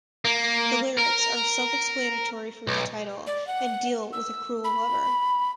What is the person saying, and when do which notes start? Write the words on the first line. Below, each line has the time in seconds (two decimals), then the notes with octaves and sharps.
The lyrics are self-explanatory from the title, and deal with a cruel lover.
0.25 A#3
0.98 A#4
2.67 B1
3.27 D5
3.47 F#5
4.13 E6
4.64 B5